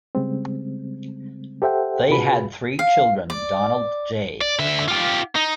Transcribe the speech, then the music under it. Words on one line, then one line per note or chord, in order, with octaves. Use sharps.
They had three children, Donald J.
C#3 G3 G#3 C4
G4 A4 C5 E5 F#5 G5
C3 F4 F#4 G#4 B4 B5
F5
D5
D5
D3 E5
F4 G4
D#4